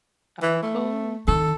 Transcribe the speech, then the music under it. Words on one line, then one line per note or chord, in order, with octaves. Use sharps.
Oh, cool.
E3
A3
D#3 A4